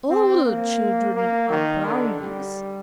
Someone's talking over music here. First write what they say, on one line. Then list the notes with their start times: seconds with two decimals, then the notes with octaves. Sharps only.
"All children are brownies."
0.09 C4
0.45 A#3
1.16 A#3
1.50 D#3
1.86 D3
2.20 G3